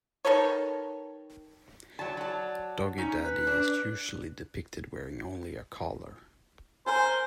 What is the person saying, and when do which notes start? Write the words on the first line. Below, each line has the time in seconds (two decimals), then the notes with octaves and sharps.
Doggie Daddy is usually depicted wearing only a collar.
0.25 D#3 A4 B4 C#5
1.99 F#3 D5 A5
2.17 F#3 A5
2.98 C#4 D#4
3.23 B4
3.47 D4
6.86 A#4 C5 G#5 A5